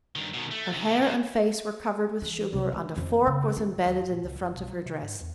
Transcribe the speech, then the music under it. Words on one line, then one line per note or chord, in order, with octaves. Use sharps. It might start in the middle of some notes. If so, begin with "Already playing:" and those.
Her hair and face were covered with sugar and a fork was embedded in the front of her dress.
G2 D#3
B2 D#3
A3
C3 D#3
B2
C3
E3
C2
A3
F2 D#3
C#3
F#2 D#3
D#2
F#1
A#2
C#2
F#1
B1
F#3
C3
G#2
E2